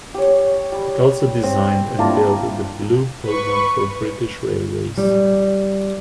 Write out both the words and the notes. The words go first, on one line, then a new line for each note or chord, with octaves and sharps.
It also designed and built the Blue Pullman for British Railways.
G4 C#5
G3
C4
A#3 D4 E4 F4
B4 C#6
G3